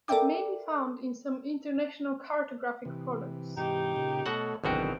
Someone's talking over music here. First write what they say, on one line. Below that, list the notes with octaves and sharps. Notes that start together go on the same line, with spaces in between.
It may be found in some international cartographic products.
A4 A#4 D5 E5 G5 D6
C3 E3
G#2 C3 E3 D#4 G4
A#2 C#3
B2 A3 F#4 A4 C#5 F#5
G#1 B2 D3 E3 F#3 C4 F#4